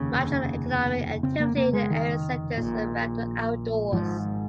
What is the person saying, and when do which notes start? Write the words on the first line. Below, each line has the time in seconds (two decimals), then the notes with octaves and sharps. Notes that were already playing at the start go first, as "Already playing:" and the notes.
Much of the economic activity in the area centers around the outdoors.
Already playing: F1 D#2 C#3 C#4
1.23 F1 D#2 C#3 C4
1.40 A#3
1.57 A#3
1.73 G#3
1.90 D#3
2.57 A#1 A#2
3.92 G#1 G#2 F3